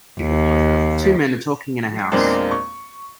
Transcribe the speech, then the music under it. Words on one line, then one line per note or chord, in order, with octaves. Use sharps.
Two men are talking in a house.
D#2
E2 A#2 G#3 A#3 C4 D4
C#6